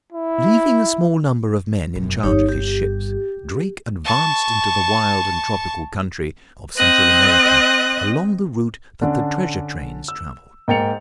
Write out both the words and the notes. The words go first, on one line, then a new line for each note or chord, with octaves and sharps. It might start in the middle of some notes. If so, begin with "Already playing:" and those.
Leaving a small number of men in charge of his ships, Drake advanced into the wild and tropical country of Central America along the route that the treasure trains traveled.
E4
E1 F#2
G1 G2 D#4 G4 C#5
G4
A5 C#6
C4 D#5 F#6
D3 C#4 D4 D5
E6
G#2 A#3 G5 A6 C#7 F7